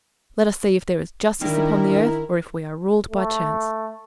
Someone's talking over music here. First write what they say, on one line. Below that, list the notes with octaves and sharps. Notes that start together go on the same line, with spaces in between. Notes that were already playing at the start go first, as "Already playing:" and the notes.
Let us see if there is justice upon the earth, or if we are ruled by chance.'
D#3 D4 E4 A#4 G5
A3